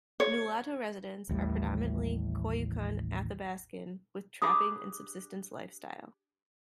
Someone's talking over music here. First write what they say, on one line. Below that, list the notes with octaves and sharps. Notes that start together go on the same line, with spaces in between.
Nulato residents are predominantly Koyukon Athabascan with trapping and subsistence lifestyle.
C#5
A1 D#2 A2 G3
D4 G4 G#4 B5 D#6